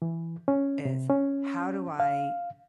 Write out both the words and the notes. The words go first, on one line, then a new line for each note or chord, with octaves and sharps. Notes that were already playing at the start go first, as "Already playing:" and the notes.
is how do I
E3
C#4
C3
C#4
F5